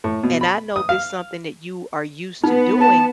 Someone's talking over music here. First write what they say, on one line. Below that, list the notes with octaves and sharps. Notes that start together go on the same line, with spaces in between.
and I know this something that you are used to doing
A2
B2
B5
D#6
F5
B3 D#4
A5